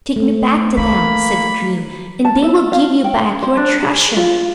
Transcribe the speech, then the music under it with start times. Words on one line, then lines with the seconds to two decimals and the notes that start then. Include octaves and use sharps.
"Take me back to them," said the dream, "and they will give you back your treasure."
0.16 A3
0.77 D#3 A#3 B5
2.25 A5
2.42 E5
2.72 F5
3.04 G5
3.43 C5
3.57 D4
3.83 G#4
4.17 F4